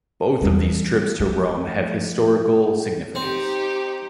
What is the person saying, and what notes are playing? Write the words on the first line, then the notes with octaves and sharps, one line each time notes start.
Both of these trips to Rome have historical significance.
E2 G3
F3 A3
C4 D#4 G4